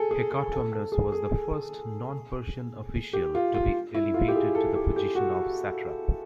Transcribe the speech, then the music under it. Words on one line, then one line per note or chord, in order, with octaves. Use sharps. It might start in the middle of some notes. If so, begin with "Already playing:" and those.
Hecatomnus was the first non-Persian official to be elevated to the position of satrap.
Already playing: G#4 A4
G#4
G#4
A4
A4
G#4
G#4
G4
F4
F4
E4
F4
G4
G#4
A4
G4
G4
F#4